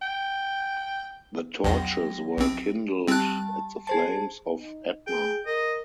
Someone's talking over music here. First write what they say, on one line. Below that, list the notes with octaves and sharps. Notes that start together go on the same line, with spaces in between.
The torches were kindled at the flames of Etna.
G5
A#1 E2 F#3 G5 A#6
A#1 C4
G3 C4 A5 F#6
G#4 C5 A5
D#4
G#4 G5
A#4 D#5